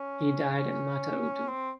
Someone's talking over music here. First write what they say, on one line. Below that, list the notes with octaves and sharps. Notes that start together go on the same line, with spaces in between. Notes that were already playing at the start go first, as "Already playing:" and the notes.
He died in Mata-Utu.
Already playing: C#4
C4